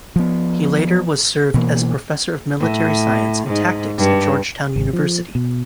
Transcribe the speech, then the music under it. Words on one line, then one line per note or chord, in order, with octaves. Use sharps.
He later was served as professor of military science and tactics at Georgetown University.
F3 B3
B2 E3 A#3
A2
G#2
G2
G#1
F3
B2